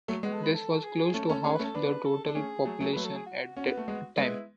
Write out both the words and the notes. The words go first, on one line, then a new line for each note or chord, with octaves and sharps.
This was close to half the total population at the time.
F#3 A3
G#3 B3 F#4
A4
B4
A4
G#4
A3 C#4 A4
A3 C#4
A3 C#4 G#4
B4
A3 C#4
A4
B3 D4 B4
A4
D4 A4
A3 C#4 G#4
F#3 A3
F#3 A3
F#3 A3 B4
A4
G#4
F#4
C#4 F#4
B3
A3
G#3 B3
G#3 B3 E4